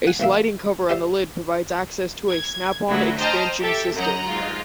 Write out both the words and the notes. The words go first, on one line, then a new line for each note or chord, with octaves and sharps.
A sliding cover on the lid provides access to a "snap on" expansion system.
F#5 G#5
B1 E3 A#3 E5
G4 C5 D5 E5
G#6
D2 F#3 E4
C5 D#5 G5 A5 A#5 F6
G4 A4 E5
F#2 F#3 D#5 F#5 A#5
G#2 F4